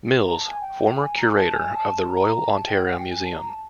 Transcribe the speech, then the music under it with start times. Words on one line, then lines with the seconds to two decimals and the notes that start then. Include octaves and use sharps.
Mills, former curator at the Royal Ontario Museum.
0.23 A#5
0.36 A5
0.48 G#5
0.61 G5
0.98 G#5
1.17 A#5
1.29 G#5
1.36 A5
1.54 G#5
1.65 G#5
1.74 A5
2.02 A5
2.11 A#5
2.48 A5
2.67 G5
2.86 F#5
2.93 G#5
2.99 G5
3.11 G#5
3.24 A5
3.36 A#5
3.48 A5